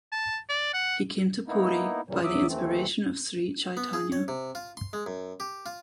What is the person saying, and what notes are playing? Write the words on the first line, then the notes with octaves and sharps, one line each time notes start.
He came to Puri by the inspiration of Sri Chaitanya.
A5
D5
F#5
A#3 B3 D#4 E4
F#2 A#2 C#3 E3 F#3 G3
E2 F#3 E5 D6 D#6
D#2 E3 A3 C4
B3
G#4
C#5
C3
F4
C6
G#3
F#2
G4
F4